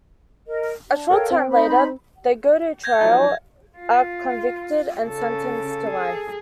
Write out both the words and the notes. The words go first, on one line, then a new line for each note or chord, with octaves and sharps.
A short time later, they go to trial, are convicted, and sentenced to life.
A#4 D#5
D4
A4 A#4 C#5 F5 G5
C4 G5
D#4 C5 B5
G6 G#6 A#6
F3 F#3 D#4
F4
C#3 A4
G#4